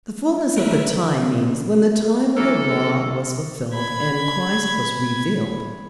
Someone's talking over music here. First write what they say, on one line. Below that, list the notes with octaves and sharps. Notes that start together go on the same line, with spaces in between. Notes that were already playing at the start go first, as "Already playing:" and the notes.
"The fullness of the time" means when the time of the Law was fulfilled and Christ was revealed.
F#3 A3 A#4 B4 E5 E7
E3 F#3 A#3 A4
B5 G#6